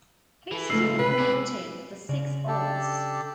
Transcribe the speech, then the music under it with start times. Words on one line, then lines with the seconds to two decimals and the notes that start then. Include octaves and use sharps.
His school promoted the Six Arts.
0.52 E3
0.70 C#2 F3 A3 D#4 E6 C7 F#7
0.99 C3 B4
1.19 G#4 D5
2.09 C#3 D5
2.48 D4 G4 A4